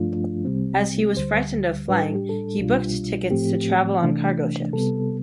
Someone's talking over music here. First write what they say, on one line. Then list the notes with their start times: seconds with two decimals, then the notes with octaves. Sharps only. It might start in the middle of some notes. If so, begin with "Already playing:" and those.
As he was frightened of flying, he booked tickets to travel on cargo ships.
Already playing: G2 F3 A3 D4 F4
0.45 C2 C3 G3 C4
1.17 D2 D3 G3 C5
1.88 A2 G3 D4 B4
2.01 A4
2.15 G4
2.29 A4
2.59 C2 B2 G3 D4 F4
3.31 A2 F3 A3 C4 G4
4.02 C3 E3 A3 D4
4.73 C3 G3 B3 A4